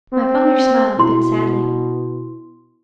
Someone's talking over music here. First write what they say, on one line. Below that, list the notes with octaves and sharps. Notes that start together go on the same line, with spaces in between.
My father smiled a bit sadly.
C4
B2 E4 C6